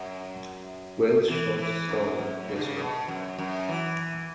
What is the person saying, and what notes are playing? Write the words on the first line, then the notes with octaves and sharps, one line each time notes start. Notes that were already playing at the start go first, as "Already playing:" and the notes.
Wells' short story, "The Star".
Already playing: F#2
E3
E3
F#2
F#2
C#3
D3
C#3
B2
F#2
F#2
E3